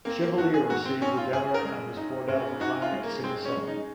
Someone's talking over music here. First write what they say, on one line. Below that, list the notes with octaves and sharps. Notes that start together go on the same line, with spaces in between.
Chevalier received the demo and was brought out of retirement to sing the song.
A#3 C4
A#3
D#3 F#4
G#4
G#2 F#4
C4
C4 C#4
F4
C#3 G#4
A#4
G#3
D#4
C#3
D#4 F#4
F4
G#3
A#3
G#3 C4
C#4
G#3
D#4